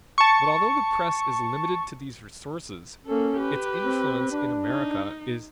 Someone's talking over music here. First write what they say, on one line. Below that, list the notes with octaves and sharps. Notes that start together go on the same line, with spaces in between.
But although the press is limited to these resources, its influence in America is immense.
A5 C#6
A#3 C#4 A4
G4 B4
C4
D4
D#4